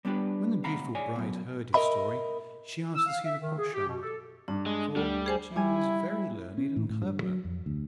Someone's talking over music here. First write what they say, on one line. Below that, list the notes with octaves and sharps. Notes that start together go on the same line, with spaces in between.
When the beautiful bride heard his story, she asked to see the potsherd, for she was very learned and clever.
G3 B3 D4 G4 B4
D2 C3 F5 F#5 A#5 B5
G#4 C#5 D5 G#5
F#2 B2
A#4 C5 D#5 E5 B5
E6
F5
E5
D#3
G#4
G4
B2
A4
G2 D4
G#3
D2 G3 A3
G#4 C5 G#5
G3 E4 G#5
C#4
A2
A2
G2
F#3
F2
D2